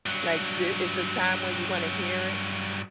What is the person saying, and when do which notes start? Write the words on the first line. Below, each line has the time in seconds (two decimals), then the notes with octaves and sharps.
like, th it's a time where you wanna hear it
0.06 G2 F#3